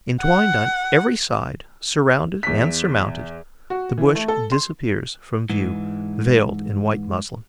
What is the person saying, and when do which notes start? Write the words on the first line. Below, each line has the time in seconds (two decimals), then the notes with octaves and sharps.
Entwined on every side, surrounded and surmounted, the bush disappears from view, veiled in white muslin.
0.21 F#5
2.43 E2 B6
3.70 F#4
3.98 E3
4.15 A3
4.28 A4
4.52 C6
5.50 G#2 E3